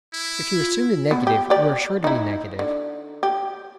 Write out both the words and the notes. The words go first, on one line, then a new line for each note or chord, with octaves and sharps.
If you assume the negative you are sure to be negative.
E4
F4
B3
G4
G4 D5
D#4 E4
D3
G4